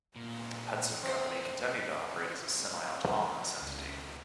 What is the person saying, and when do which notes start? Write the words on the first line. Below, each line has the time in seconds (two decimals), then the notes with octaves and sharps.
Hudson Company continued to operate as a semiautonomous entity.
0.16 A#2
1.03 C4 C5
3.62 C#2